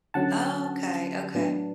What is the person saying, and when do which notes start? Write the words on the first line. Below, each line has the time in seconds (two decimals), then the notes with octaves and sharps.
Okay. Okay.
0.14 D3 F#3 C#4 F#5 A5
1.34 A2 F#3 B3 D4